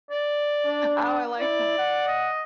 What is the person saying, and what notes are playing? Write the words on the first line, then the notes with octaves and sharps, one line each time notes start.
Oh, I like that.
D5
D4
E4 D5
F#5
D#5